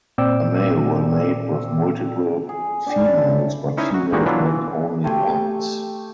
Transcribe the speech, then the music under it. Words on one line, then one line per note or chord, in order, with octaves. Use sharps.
A male will mate with multiple females but females mate only once.
A#2 C4 D5 G5 D6 E6
G#4
D4 G5
E4 C#5 A5
C#4 D#4 E4 C#5 D#5
F#4
A#2 D#3 G#3 A#3 F#4 G4
E3 F#3 D4 E4 F4
E3
A3 G4 G#5 C6